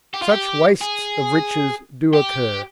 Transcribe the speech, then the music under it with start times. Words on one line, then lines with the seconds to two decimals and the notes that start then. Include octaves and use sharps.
Such wastes of riches do occur.
0.14 G4
0.22 F4
0.30 G4
0.81 G#4
2.13 G4